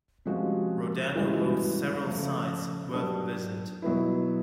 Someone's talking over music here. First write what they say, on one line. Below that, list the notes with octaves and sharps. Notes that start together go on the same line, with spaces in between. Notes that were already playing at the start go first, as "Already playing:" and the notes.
Rodano hosts several sights worth a visit.
C3 F3 G#3 C#4 F#4
G2 E3 G#3 C#4 F#4
C#3 F3 A3
F#3 A#3 D4 G4
B2 F#3 B3 E4